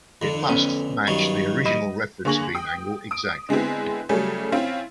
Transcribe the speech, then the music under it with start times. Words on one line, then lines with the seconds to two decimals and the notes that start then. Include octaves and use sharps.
It must match the original reference beam angle exactly.
0.22 F2 D3
0.49 B3 C#4
1.08 G2 D#3 F#3
1.65 D#5 B5
2.25 D3 A#3 G#4 C#6 A#6 F#7
2.55 G5 D#6
3.11 D#6 D7
3.49 D3 G#3 B3 C4 E4
4.09 C#3 F#3 G3 A3 C#4 G#4
4.52 C4 C#4 E4 F4